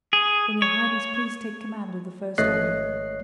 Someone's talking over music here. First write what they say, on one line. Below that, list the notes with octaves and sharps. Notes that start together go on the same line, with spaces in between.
"Will Your Highness please take command of the first army?"
G#4
C#5
G#1 A3 C#5 D#5 F#6 C7